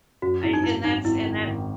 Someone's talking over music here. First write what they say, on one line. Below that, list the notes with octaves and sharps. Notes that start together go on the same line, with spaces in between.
I and that's and that
F#2 F#4
G#1 E4
D#4
G#1 E4
G#1 D#4
G#1 E4
D#3
G#1